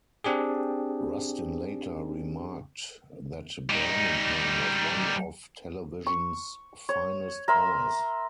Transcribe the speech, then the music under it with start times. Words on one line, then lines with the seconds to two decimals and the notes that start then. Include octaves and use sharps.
Rustin later remarked that Birmingham was one of television's finest hours.
0.24 C4 D4 G4 G#4
3.70 G3 D#4
6.07 C#6
6.89 C#5
7.48 A#4 E5 B5 C6